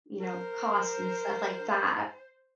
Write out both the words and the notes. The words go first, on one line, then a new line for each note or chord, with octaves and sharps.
you know, cost and stuff like that.
A#4 C5